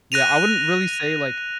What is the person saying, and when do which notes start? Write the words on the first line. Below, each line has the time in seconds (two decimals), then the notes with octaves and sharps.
Yeah, I wouldn't really say, like,
0.12 F#6 A#6 D#7 F7